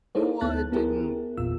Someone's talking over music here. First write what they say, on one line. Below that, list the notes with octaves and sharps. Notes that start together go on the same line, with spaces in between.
No, I didn't.
D#4 E4 G#4 A4 C5 C#5
D2 B3 A5 F#6 A6
B3 E4 G4 G#4 A#4
G#1 E2 A#2 F4 E6